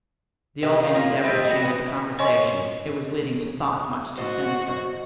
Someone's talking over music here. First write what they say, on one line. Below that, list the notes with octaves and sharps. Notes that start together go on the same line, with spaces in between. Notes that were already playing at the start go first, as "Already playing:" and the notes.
The old man endeavored to change the conversation; it was leading to thoughts much too sinister.
C3
D#3 F4
A#3 F4
G3 A3 C4 D#5
F#4
E3 B3
C5 C#5 D#5 G#5 C6 C#6
F#4 C5 D#5